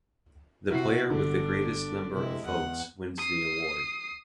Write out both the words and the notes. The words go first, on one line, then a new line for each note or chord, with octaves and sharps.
The player with the greatest number of votes wins the award.
C3 E4 F#4 C7
G1 D3 D4
C3 G#3 E4
E2 F#5
D#6 C7